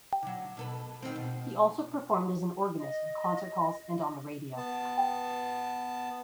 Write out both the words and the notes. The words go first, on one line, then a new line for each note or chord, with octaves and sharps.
He also performed as an organist in concert halls and on the radio.
D3 F#3
B2 A4 B4
D#3 C4
B2
D#5
B3 A5